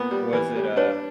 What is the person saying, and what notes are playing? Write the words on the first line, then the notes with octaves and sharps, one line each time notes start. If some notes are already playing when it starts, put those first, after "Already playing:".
Was it a
Already playing: A#2 B3
G3
E3 B4
G3
D4 B4 C#5